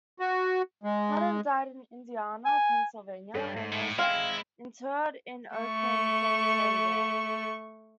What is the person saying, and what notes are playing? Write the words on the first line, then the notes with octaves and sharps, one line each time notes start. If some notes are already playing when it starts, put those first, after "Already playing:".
Patton died in Indiana, Pennsylvania and was interred in Oakland Cemetery there.
F#4
G#3
G#5
G2 G3 A4 C#5
G#2
A2
G#3 C4 E4 F5 G5 C6
A3 C#6